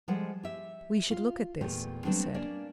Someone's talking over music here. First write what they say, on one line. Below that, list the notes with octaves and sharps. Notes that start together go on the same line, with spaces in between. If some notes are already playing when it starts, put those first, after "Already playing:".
"We should look at this!" he said.
F3 G3 G#3 A4 F#5
G4 E5
F4
E2 A#2 A3 G4 A4
F#3 G3 A3 B3 C4 D4
A#3 C#4 D4 D5